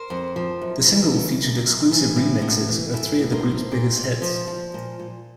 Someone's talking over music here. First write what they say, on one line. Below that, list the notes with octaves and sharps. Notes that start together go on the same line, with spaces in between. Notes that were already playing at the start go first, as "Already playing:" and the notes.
The single featured exclusive remixes of three of the group's biggest hits.
Already playing: A#4 C5
F2
F3
F#2
E3
C#3
F#2
F#2
E3
A2
A2
E3
E3 A4 B4
A2
A#4 C5
A2
A#2 C5 D5
A#2
F3
F3
A#2
A#2